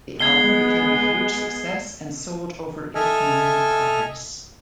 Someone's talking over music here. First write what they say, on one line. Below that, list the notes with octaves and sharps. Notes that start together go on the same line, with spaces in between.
The album became a huge success and sold over eight million copies.
G#3 B3 G#6 C7 G7
A4 D#5 E5 G#5 F6